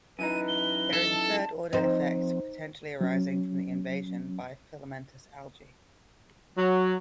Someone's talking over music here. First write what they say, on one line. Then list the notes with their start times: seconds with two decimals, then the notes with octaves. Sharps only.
There is a third-order effect potentially arising from the invasion by filamentous algae.
0.19 F#2 E3 D#4 B4 D#7
0.48 G7
0.94 A4
1.12 A5
1.73 F3 C4 D#4 C5
3.01 F#3 C#4
6.58 F#3